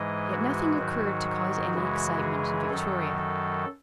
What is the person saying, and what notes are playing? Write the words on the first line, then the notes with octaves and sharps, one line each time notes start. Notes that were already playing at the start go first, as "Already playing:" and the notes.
Yet nothing occurred to cause any excitement in Victoria.
Already playing: G#2 E3 G#3 D#5
F#4
G#2 D#3 F#3
F#2 C#3 E3 G#3
G#4
F#2 D#3 F#3 A4
A4